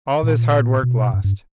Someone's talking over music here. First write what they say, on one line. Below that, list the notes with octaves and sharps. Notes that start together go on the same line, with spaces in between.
All this hard work lost!
A#2
B2
G2
G2